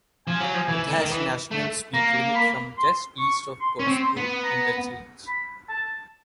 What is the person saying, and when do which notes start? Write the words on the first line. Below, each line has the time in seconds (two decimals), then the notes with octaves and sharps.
It has National Speed Limit from just east of Goresbrook Interchange.
0.27 F3 G#5
0.40 F#3
0.54 F3
0.68 E3
0.88 D3
0.99 D#3
1.10 E3
1.51 A3
1.94 A#3 A#5
2.35 B5
2.77 C6
3.19 C#6
3.60 C6
3.79 C#4 C#6
3.88 C4
4.02 C6
4.17 B3
4.44 A#5
5.27 B5
5.69 A5